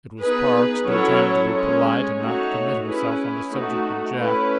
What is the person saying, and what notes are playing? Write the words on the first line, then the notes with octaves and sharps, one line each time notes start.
It was Park, still trying to be polite and not commit himself on the subject of Jack.
B3 D#4 G#4 B4
F#3 C#4 E4 A4 C#5
G#3 C#4 G#4 C#5
A3 D#4 F#4 C#5
C#4 E4 G#4 B4
A3 D#4 F#4
A3 C#4 E4 B4